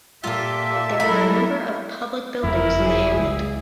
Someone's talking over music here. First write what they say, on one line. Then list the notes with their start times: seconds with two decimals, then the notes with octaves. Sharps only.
There are a number of public buildings in the hamlet.
0.24 A#2 F4 G4 A4 E5
1.00 F#3 E4 A4 A#4 B5
2.44 F#1 F2 E4 A#4
2.82 G#4
3.16 C#2 G#3